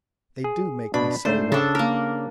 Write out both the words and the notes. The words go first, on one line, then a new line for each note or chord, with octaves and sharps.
They do make me so wild.
G#4
B2 D4 B5
G#2 A3 D4 C5
C#3 D4 A4
A#3 A#4